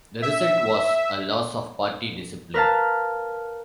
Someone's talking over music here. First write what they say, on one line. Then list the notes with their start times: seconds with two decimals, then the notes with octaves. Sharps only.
The result was a loss of party discipline.
0.22 E5
2.54 A#4 B4 F5 A5